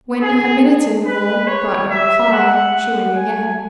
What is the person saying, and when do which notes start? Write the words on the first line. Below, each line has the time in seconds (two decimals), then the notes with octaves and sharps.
When a minute's interval brought no reply, she rang again.
0.22 G#4
1.06 B4
1.47 C#5
1.90 E5
2.32 F#5
2.74 F#5
3.15 G#5